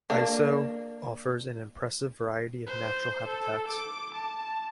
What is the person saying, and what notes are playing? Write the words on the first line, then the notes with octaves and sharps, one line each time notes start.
Aiseau offers an impressive variety of natural habitats.
A#3 D4
C5
A4
D6
A5